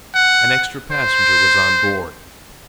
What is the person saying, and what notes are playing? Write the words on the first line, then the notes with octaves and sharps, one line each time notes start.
An extra passenger was on board.
F#5
C5